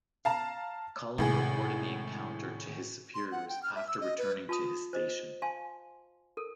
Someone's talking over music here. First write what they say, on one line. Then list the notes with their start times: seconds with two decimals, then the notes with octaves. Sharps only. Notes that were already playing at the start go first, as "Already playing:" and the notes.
Cullen reported the encounter to his superiors after returning to his station.
0.25 F5 A5 A#5
1.18 G#1 A2 C3 G#4
3.14 C6
3.32 F#5
3.48 G5
3.63 F6
3.75 E5
3.88 E6
4.01 D#5
4.18 B4
4.49 F4 A5 D#6
4.93 C5 D#5
5.42 F5 G#5 A5 C6
6.37 A4 A#4